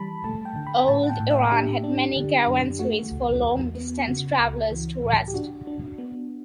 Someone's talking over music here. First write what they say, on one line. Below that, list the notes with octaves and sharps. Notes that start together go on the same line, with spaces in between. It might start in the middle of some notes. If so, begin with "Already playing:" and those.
Old Iran had many Caravanserais for long distance travelers to rest.
Already playing: E3 G3 A5 B5
A3 A5
G5
D3
B5
A2 A5
F#5
G5
A2
E5
D4 G4
D4
D3
F#2
A3 F#4
C#2
E2
B3
C#3 F#4
C#2
E3
A2
G4
D4 F#4
D4
B3